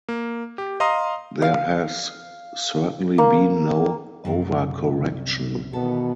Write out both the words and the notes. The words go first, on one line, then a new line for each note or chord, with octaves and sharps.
There has certainly been no overcorrection.
A#3
G4
D#5 F5 A#5 C6 D#6
F5
A#3
C2 F#2 C4 A#4
B2 D#3 E3 B3 A4